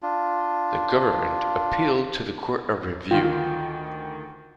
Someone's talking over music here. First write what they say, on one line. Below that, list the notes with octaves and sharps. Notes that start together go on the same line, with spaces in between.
The government appealed to the Court of Review.
D4 F4
D2 D#3 F4 G5